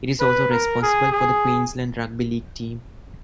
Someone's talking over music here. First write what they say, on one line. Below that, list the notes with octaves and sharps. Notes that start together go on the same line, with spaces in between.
It is also responsible for the Queensland Rugby League team.
B4
A#4
G#4
G#4